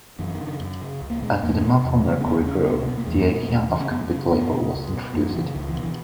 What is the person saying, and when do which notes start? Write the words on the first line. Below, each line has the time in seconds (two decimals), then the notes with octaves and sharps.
As the demand for mercury grew, the idea of convict labor was introduced.
0.19 F#2 D#3
0.27 E3
0.34 D#3
0.40 C#3
0.60 F#2
0.81 C#3
1.01 C#2
1.10 A#3
1.22 B2 G#3
1.43 E2 A#3
1.63 B2
1.84 E2
2.05 C#3
2.21 C#4
2.25 D#2 B3
2.46 C#3 C#4
2.66 C#2 B3
2.86 B2 B3
2.97 A#3
3.07 E2 G#3
3.16 A#3
3.29 B2
3.42 A#3
3.49 D#2 G#3
3.69 C#3 E3
3.80 C#4
3.90 F#2 B3
4.11 C#3 C#4
4.32 F#2 B3
4.53 C#3
4.73 C#2
4.93 B2
5.13 F#2 A#3
5.29 F#3
5.34 C#3 E3
5.55 C#2 D#3
5.69 E3
5.76 B2
5.83 E3